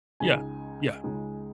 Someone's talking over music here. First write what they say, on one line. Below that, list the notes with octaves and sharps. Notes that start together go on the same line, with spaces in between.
yeah, yeah.
C#2 C#3 G#3 D#4 G#5
C#2 C#3 G#3 D#4